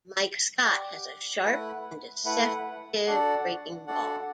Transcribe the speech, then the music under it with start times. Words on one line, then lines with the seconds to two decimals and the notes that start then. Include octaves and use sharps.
Mike Scott has a sharp and deceptive breaking ball.
0.62 G4 D5 F#5
1.43 A3 E4 B4 F#5
2.24 A3 E4 B4 F#5
3.06 D4 F#4 A4 D5 F#5
3.87 D4 F#4 A4 D5 F#5